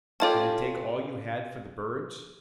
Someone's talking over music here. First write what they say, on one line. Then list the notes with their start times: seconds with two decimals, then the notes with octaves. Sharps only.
"Did it take all you had for the birds?"
0.20 C#4 F4 G4 A4 C#5 A5